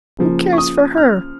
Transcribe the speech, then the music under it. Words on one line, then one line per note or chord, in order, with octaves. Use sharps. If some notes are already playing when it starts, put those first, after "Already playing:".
Who cares for her?
C#3 F3 A#3
C#6
D#6
F6